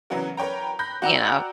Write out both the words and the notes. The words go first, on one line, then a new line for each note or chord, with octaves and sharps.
you know,
C#3 E3 F#3 B3 F#4 A#4
A#4 B4 C#5 G5 A#5
B5 F#6 G6 A#6
F#4 D5 F#5 G5 A#5 E6